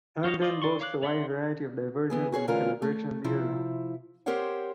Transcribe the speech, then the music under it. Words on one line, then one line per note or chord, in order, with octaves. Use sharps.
Herndon boasts a wide variety of diversions and celebrations year round.
F4 F#4 C#5 D#5 F5
F4 D5 D#5
D3 D5 C6 C#6
C#5 F5 D6 E6 F#6
C#5 D5 E5 F#5 C6
E3 B3 G#4
F#4 G#4 B4 C#5
D3 E3 A3 C#4 F4 A#4
A3
C3 F3 E4
C4 G4 A#4 C5 C#5 F#5